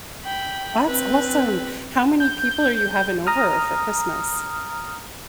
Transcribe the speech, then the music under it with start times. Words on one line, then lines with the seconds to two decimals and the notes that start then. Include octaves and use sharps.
That's awesome. How many people are you having over for Christmas?
0.25 G5 B5
0.85 C4 B4
2.20 G6
2.51 G6
3.27 A#5 D#6 F6